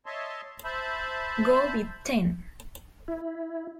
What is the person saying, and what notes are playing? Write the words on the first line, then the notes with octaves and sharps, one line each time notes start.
Go with ten!
C#5 D#5 E5 A5 C6
C5 E5 A5 B5
E4